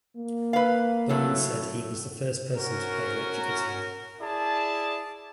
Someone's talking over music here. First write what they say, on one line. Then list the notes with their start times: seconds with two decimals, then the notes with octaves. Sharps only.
Barnes said that he was the first person to play electric guitar.
0.17 A#3
0.53 B4 F5
1.09 A2 F#3 A3
2.57 C#4 F#4 A#4
4.20 E4 G#4 D5 A5